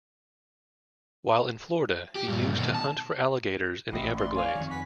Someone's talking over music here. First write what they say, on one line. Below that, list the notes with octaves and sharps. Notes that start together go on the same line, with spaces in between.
While in Florida, he used to hunt for alligators in the Everglades.
G4
G2 A#2
B2 D#3
A5
A1 C4 E4 D#5
E4 B4 D5 C6
C#5 D5 F5 G#5
F2 D#3 C#6
B4 F#5 G#5 B6